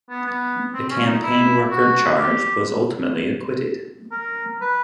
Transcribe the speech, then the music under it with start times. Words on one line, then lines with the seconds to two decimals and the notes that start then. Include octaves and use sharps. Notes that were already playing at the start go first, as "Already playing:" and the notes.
The campaign worker charged was ultimately acquitted.
0.10 B3
0.26 B3
0.74 C4
0.90 C#4
1.06 D#4
1.23 E4
1.71 F#4
2.20 G4
4.12 A#4
4.61 B4